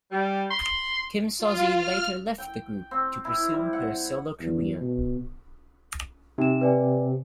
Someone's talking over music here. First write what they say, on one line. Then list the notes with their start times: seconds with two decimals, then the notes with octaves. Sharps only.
Kim Sozzi later left the group to pursue her solo career.
0.10 G3
0.50 B5 C6
1.38 F4
1.74 F6
2.38 G5
2.91 C4
3.25 E4
3.53 G3
3.73 F#5
4.40 E2
4.81 B2
6.38 C3 D#4 E7
6.61 B4 D5 G#5